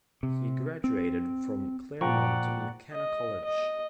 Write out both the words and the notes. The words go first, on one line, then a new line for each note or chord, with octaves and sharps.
He graduated from Claremont McKenna College.
C3
C4
A#2 F3 D5 F#5 G5 A#5 C#6
D#5
D#5